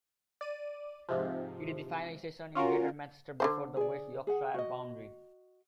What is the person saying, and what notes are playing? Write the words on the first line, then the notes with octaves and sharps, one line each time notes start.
It is the final station in Greater Manchester before the West Yorkshire boundary.
D5 D#7
G#2 C3 F3
C#4 F4 F#4 A#4
D3 D#3 C5
G#4 D5
G#4 F#5
F#4 D#5